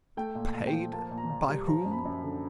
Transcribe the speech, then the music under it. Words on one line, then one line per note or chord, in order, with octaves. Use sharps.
"Paid, by whom?"
A3 G5
A#2
A#2
G5
F3
A#3 A5
A#2
A#5
A#2
G3
F3 A#5
F#2
B5
F#2
D3